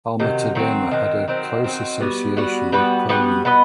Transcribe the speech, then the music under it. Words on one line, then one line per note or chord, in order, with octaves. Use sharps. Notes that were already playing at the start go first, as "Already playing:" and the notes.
Alma Tadema had a close association with Poland.
C3 D#3 F#3
D#3 F#3 C4
D#3 F#3 C4
D#3 F#3 C4
D#3 F#3 C4
G3 B3 F#4 B4
G3 B3 F#4 B4
G3 B3 F#4 B4
G3 B3 F#4 B4
B3 F#4 B4 D#5